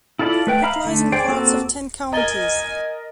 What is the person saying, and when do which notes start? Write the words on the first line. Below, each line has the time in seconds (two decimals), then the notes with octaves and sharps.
It lies in parts of ten counties.
0.19 E4 F4 A4 D5 B5
0.47 A3 B4 G5
0.62 E5 F5 A#5 B5 F6
0.85 D3 A3
1.12 G#4 C5 D5 G5
1.28 A#3 C4 F#4 A4
2.13 A#4 D#5 G#5 A#5 A6 G7